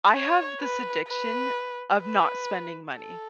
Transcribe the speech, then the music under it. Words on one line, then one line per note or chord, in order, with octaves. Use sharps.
I have this addiction of not spending money.
C#5
B4
B4
B4
A4